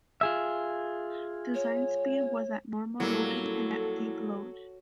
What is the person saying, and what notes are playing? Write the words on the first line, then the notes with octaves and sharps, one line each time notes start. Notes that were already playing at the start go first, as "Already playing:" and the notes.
Design speed was at normal loading and at deep load.
F4 G#4 E5
C#5
A#2 F#3 G3 A#3 E4 A4